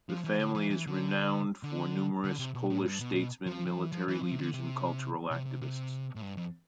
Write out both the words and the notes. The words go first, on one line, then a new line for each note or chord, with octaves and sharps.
The family is renowned for numerous Polish statesmen, military leaders, and cultural activists.
F3
E3
D3
E3
E3
D3
D3
D3
C3
B2
A2
G2
B2
B2
F3
F3
E3
F3
E3
F3
C3
D3
C3
C3
C3
C3
A2
G2
F2